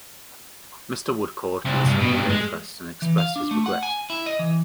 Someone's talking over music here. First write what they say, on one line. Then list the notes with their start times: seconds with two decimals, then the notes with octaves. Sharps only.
Mr. Woodcourt listened with interest and expressed his regret.
1.66 C2
1.87 G2
2.01 B2
2.12 G2
2.30 G#3
3.02 E3
3.18 F5
3.36 D4
3.51 A3
3.66 F#5
3.83 G#5
4.10 E4
4.26 D#5
4.39 E3